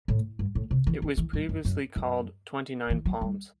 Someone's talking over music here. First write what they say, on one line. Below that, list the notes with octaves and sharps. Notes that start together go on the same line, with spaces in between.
It was previously called Twenty-Nine Palms.
A2
G2
A2
C3
E3
E3
E3
G2
F#2
F#2
F#2
E3
F#3
G3